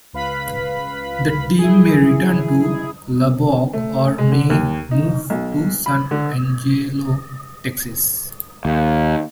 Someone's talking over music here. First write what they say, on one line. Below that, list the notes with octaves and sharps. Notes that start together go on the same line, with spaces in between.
The team may return to Lubbock or may move to San Angelo, Texas.
C#2 B4 F5 B5 B6
E4 G#4
A3
G#3
D3
D#2
D#4
B1
B5
D3
D#2